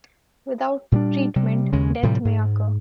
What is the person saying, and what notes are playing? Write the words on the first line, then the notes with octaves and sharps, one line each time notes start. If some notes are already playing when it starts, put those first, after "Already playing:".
Without treatment death may occur.
A#2 G3 D4
C3 G3
D#2 C#3 G#3 C#4
A2 C3 F3 G3
G#2